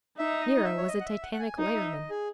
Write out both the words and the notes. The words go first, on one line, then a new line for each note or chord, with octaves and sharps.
Nero was a titanic lighterman.
D#4 E5
D#5
E5
C#5
D#5
F#5
E5
F#5
F#5
G#5
D#4
E5
D#5
G#4